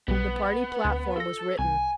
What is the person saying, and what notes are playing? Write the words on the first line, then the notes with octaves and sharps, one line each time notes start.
The party platform was written.
B1 G3 B3
D2
F4 A4 A#6
C2 G#5